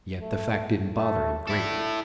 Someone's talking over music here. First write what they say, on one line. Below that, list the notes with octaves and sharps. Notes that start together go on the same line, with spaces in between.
Yet the fact didn't bother him greatly.
A3
A3
D3 E4 A4